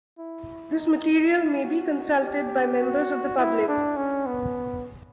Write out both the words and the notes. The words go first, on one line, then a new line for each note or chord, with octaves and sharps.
This material may be consulted by members of the public.
E4
D#4
E4
F#4
G4
F#4
E4
D4
C#4
B3